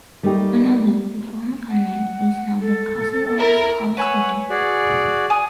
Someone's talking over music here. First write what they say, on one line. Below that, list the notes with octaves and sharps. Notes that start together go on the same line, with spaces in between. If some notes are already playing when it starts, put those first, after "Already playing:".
Another, the former convent, is now the Castleoaks House Hotel.
G3 A3 A#3 D#4 G4
F#5
A4
E4 A#4
B4 C#5 F#5 G#5 E6
F#4 G#4 D5
G#5 D#6